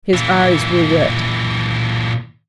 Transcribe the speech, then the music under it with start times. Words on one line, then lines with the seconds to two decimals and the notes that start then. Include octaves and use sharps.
His eyes were wet.
0.14 A#2 E3